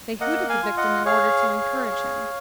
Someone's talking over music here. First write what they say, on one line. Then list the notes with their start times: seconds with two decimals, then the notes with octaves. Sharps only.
They hoot at the victim in order to encourage him.
0.20 A#3 D#5 F#5
0.49 F5 G#5
0.63 F4
0.77 D#5 F#5
1.06 G#4 C#5 F5
1.49 G#4
1.91 G#4